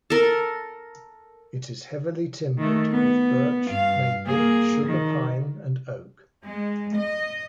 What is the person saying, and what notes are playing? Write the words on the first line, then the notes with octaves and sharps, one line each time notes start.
It is heavily timbered with Birch, Maple, Sugar Pine and Oak.
A4 A#4
D#3 A3
B3
G2 F5
A#3 G#4
D#3
G#3
D#5